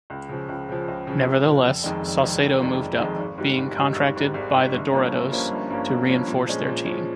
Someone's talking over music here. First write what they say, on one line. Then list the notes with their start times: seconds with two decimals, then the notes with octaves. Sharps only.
Nevertheless, Saucedo moved up, being contracted by the Dorados to reinforce their team.
0.10 C#2
0.29 C#3 F3
0.49 C#2
0.69 C#3 F3
0.88 C#2
1.07 C#3 F3
1.26 C#2
1.46 C#3 F3
1.65 F1
1.84 F2 D#3 G#3
2.03 F1
2.22 F2 D#3 G#3
2.41 F1
2.61 F2 D#3 G#3
2.80 F1
3.00 F2 D#3 G#3
3.18 G#1
3.38 G#2 G3
3.58 G#1
3.77 G#2 G3
3.96 G#1
4.16 G#2 G3
4.34 G#1
4.54 G#2 G3
4.73 G1
4.92 G2 F3 A#3 C#4
5.12 G1
5.31 G2 F3 A#3 C#4
5.51 G1
5.70 G2 F3 A#3 C#4
5.90 G1
6.08 G2 F3 A#3 C#4
6.28 A#2
6.47 F3 G#3 C#4
6.66 A#2
6.85 F3 G#3 C#4